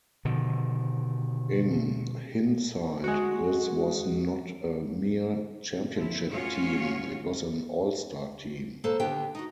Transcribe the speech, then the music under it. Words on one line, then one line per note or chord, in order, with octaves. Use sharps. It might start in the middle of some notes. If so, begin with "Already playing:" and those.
In hindsight, this was not a mere championship team; it was an all-star team.
B2 D3 D#3 F3
G#3 F#4
F3 E4
A2 C#4 F4 F#4 C#5 F5
A#3 A4 B4 C5
D#2 D3 B3 G4 G5
D#4 F#4